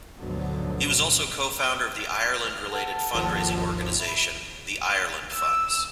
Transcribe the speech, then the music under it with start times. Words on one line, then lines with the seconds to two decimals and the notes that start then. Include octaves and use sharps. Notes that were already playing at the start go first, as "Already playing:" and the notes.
He was also co-founder of the Ireland-related fundraising organization The Ireland Funds.
0.17 D2 G#2 B2 D3 F3 F#3
2.34 F6
2.69 A4 F#5 A5
3.13 G#1 D#2 F3
3.98 E5 B5
5.34 E6